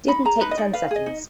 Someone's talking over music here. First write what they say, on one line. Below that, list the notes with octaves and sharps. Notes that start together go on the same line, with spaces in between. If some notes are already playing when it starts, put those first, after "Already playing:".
Didn't take ten seconds.
D#4 B5
G#4 A#5
D#4 B4
D#5
D#4 D5
B4 F5
G#4 D#5
D#4